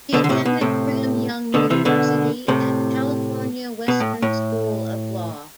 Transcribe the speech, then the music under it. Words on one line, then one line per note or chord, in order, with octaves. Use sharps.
He attended Brigham Young University and California Western School of Law.
B2 D3
D3
A2 C3
B2
A2 C3
B2 D3
C3 E3
B2 D3
A2 C3
B2
A2
A2